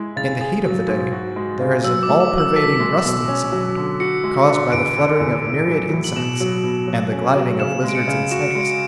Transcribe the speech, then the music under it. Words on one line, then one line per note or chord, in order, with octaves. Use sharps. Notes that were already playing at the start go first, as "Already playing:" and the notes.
In the heat of the day there is an all-pervading rustling sound, caused by the fluttering of myriad insects and the gliding of lizards and snakes.
Already playing: G#3 E4
C#3 A6
G#4 A6
F#3
G#2
F#4
G#3
C#3
F#3 E6
D6
A3
D6
F#3
E6
A4 B6
G#3
B2
C#4
F#3
D3
F#4 C#7
G#3
D3
E2 D7
D3
E2
A2
F#3
A2
F#7
B2 E7
F#3
B2
F#3
C#4
F#3
C#3 E7
G#3
D7
C#7
C#3
F#4 E7
D7
G#3 C#7
D7